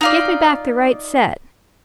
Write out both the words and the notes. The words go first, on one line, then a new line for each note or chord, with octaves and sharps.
'Give me back the right set.
D#4 F4 D5